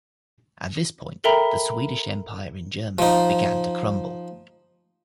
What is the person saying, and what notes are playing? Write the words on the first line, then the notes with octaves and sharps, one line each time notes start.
At this point, the Swedish empire in Germany began to crumble.
A4 A#4 E5 G5 A#5 B5
F3 D#4